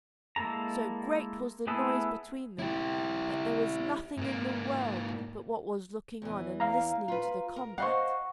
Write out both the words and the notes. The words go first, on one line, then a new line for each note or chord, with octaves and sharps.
So great was the noise between them that there was nothing in the world but what was looking on and listening to the combat.
G#3 A#3 E4 A4 A#5
A3 B3 E4 G#4 A4
E4 G4
G#2 A#3
E2 E3
F5 A#5
F4 B4
A#4
C5 D#5 F5 F#5 C#6